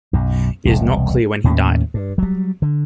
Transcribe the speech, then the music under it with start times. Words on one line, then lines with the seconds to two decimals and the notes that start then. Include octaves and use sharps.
It is not clear when he died.
0.13 B1 F#2
0.65 E1 C2
1.44 D#2 A2 A#3 C#4
1.94 G2
2.18 F#3 G3
2.62 D3